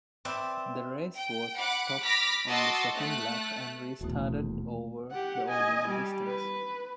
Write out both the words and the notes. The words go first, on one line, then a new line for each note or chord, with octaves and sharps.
The race was stopped on the second lap and restarted over the original distance.
C4 B4 D5 E5
G5
F#5 B5 D6 F#6
B5 D6 F6 A#6 B6
F#4 D#5 A5 C6 D6 E6
A3 F#6
D#1 E2 B2 A3 F#4
G4 F#5
D#5 G#5
G3
B4